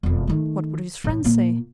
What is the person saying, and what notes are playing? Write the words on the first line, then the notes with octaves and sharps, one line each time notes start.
What would his friends say?
E1 F2
D#3 A3
A2 E3
A#2 A#3